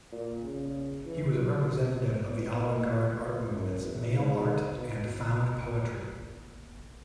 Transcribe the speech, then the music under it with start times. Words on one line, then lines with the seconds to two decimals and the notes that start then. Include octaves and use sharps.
He was a representative of the avant-garde art movements Mail Art and Found Poetry.
0.12 A#2
0.43 C#3
1.05 E3
1.36 F#3
2.29 B3
2.59 A#3
2.90 B2
3.21 A#2
3.52 F#2
3.83 E2
4.14 G#2
4.76 B2